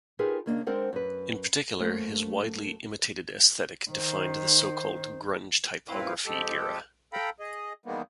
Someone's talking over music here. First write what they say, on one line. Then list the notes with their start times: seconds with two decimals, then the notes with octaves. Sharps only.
In particular, his widely imitated aesthetic defined the so-called "grunge typography" era.
0.19 D#4 F4 G4 G#4 A#4 B4
0.46 D#2 C#3 A#3 D4 D#5
0.67 G#3 C4 D4 A#4 C5 F#5
0.93 F#2 B4
1.79 F#2 A3 A#3 C4
3.91 D#3 C5
5.89 G2 A#2 C4 E4 B4 F5
6.26 F2 G#3 G4 A4
7.13 A4 F5 G5 A#5 B5
7.40 G#4 D#5
7.86 E2 D#3 G3 G#3 A#3 B3